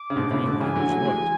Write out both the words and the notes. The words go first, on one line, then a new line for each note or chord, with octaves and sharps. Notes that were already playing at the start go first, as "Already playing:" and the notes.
The Greenlanders looked.
Already playing: D6
C#3
G#2 B2
A2 C#3
B2 D3
C#3 E3 G#5
D3 F#3
F#3 A3
E3 G#3